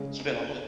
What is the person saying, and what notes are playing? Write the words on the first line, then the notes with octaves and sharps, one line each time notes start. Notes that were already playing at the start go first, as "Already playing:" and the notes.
…spent all of it
Already playing: C#3 G#3 C#4 G#4